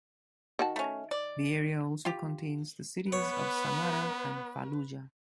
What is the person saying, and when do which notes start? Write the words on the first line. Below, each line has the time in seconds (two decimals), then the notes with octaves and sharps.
The area also contains the cities of Samarra and Fallujah.
0.59 D#3 F#4 A5
0.76 A3 C#4
1.11 D5
2.05 F4 G4
3.12 B3 B4 C#5